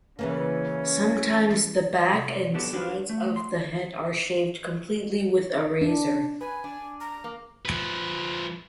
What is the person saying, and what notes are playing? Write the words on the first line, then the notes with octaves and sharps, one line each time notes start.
Sometimes the back and sides of the head are shaved completely with a razor.
C#3 E3 A#3 C#4
C3
D#3 F#3 B3 D4 G4 A4
D4 F#4 G4 B4
A3
C6
D4
B4 G#5
D4
A#5
A#3
F3 B4